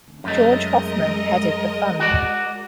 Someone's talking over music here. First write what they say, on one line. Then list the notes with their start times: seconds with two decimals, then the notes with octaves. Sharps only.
George Hoffman headed the fund.
0.24 F#2 G#3 A3 A#4 D#5
1.99 F#4 D5